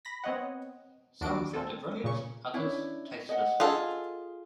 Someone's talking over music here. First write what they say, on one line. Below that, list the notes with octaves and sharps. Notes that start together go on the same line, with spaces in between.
Some found it brilliant; others, tasteless.
B5 A#6 B6
B3 C4 C#5 D#5 F#5
D#2 D4 F#4 D7
C4 A4
A#2 C#3 C#6
C#4 D4 E4
D#5 F#5
F4 G#4 A4